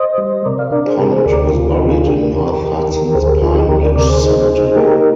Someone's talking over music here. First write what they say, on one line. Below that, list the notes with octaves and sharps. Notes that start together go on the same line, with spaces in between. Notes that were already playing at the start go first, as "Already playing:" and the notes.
Pond was buried in North Hudson's Pine Ridge Cemetery.
Already playing: C5 D#5
G3
C3 A#4 D5
D5 F5
D4 A#4 D5
G#4 C5
C3 G4 A#4
G#4 C5
D2 A#4 D5
G4 A#4
D2 F4
D#4 G4
C3
F4 G#4
D4 G4 A#4
D#2
D#2
D#3
D2 G#4 C5
G4 A#4
D2 F4 G#4
D#4 G4
D2 G4 A#4
A#4 D5
C3 A#4 D5
G#4 C5
D#4
D#4
A#3 G4 A#4